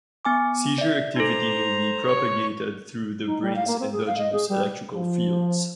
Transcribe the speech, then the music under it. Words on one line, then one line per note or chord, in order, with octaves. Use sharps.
Seizure activity may be propagated through the brain's endogenous electrical fields.
B3 G#5 D6
D5 E5
D#4 A4 C5 A#5
C#5
D#4
G3
F5
A#3
C4
G#4
F5
D#5
G#4
G3
F3